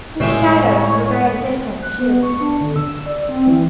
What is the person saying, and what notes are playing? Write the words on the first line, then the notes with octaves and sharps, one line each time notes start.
The shadows were very different too.
C#2 A2 G#3 C#5 E5 G5
F#6
B3
C#6
D4
D3
E6
D5
C4
E3